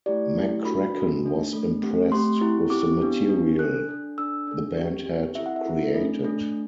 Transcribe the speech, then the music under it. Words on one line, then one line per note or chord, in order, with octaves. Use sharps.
McCracken was impressed with the material the band had created.
A3 E4 G4 D5
A3 E4 G4
D4 F#4 A4 B5
D4 F#4 A4
A3 D4 A4
A3 D4 A4
A3 C4 G4
A3 C4 G4 C6
C4 E4 G4
C4 E4 G4 D6
B3 D4 G4
B3 D4 G4
D4 A4 F#6
D4 A4
D4 A4 E6
D4 A4
C4 G4
C4 G4
C4 E4 A4 E5
F#5
E5
C4 E4 A4
A3 D4 A4
A3 D4 A4